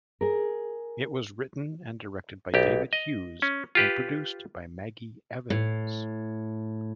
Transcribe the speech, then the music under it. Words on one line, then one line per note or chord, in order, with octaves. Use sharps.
It was written and directed by David Hughes and produced by Maggie Evans.
G#4 A#4
B1 G4
D#5
C#4
F4 G4 B4
A2